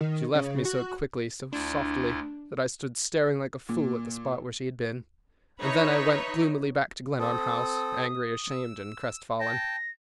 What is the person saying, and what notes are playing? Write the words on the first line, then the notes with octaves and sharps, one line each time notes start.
She left me so quickly, so softly, that I stood staring like a fool at the spot where she had been, and then I went gloomily back to Glenarm House, angry, ashamed and crestfallen.
D#3
C#3
F#4
D2 D4 E4 F4
A#2
D#4 B4 C#5 E5
C4 A4 D#6
E6
G5 A5 A#6